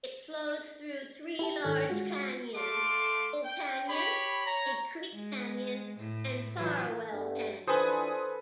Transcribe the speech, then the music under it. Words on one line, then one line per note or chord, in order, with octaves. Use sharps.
It flows through three large canyons, Bull Canyon, Big Creek Canyon and Farwell Canyon.
E4 G4 A5
G#2 D#3 D4 A4 C#5 F#6
G#3 F4 F#4
A3 A4 F5 C6 D6
G5
G4 C#5 B5
C#5 A#5
G#3
A2
E3 F#3 F4
G2 A3 B3
E3 D4 F4 A4 B4 C5 G#5 D#6